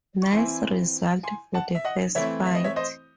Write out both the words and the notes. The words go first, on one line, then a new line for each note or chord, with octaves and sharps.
Nice result for the first fight.
C#6
E3 C4 E4 G#5 C6
G#5 C6
F#5 A5
E5
D#5 F#5
E3 A3 C4 E4 C#5 E5
E5
D#5
C#5 E5
C5 D#5